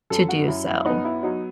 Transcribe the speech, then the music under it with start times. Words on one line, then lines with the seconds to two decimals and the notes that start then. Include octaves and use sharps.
to do so."
0.10 F#2 A4
0.29 F#4
0.48 F#2 E4
0.67 E4
0.86 B3 D#4
1.05 E4
1.23 F#3 D#4